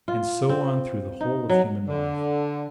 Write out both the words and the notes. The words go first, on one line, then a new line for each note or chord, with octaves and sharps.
And so on through the whole of human life.
F4
C4
D#4
F#3
D3